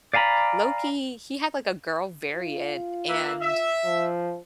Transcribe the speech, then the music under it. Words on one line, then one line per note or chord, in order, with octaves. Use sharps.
Loki, he had like a girl variant, and
D5 F5 G#5 A#5 B5
F4
A#3 B4 E5
E5
F3